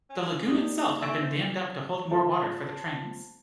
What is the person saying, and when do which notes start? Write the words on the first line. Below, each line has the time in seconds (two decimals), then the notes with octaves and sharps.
The Lagoon itself had been dammed up to hold more water for the trains.
0.10 C#4
0.48 G3 A#3 D#4 G4 D#6
0.77 G#3
1.02 A4 E5 G#5 C#6
1.22 C5
2.11 F4 A4 C5 A5